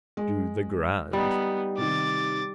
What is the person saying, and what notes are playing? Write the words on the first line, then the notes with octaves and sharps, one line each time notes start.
Do the grand.
G#3
G3 B3 D#4
C3 D#3 D6 A6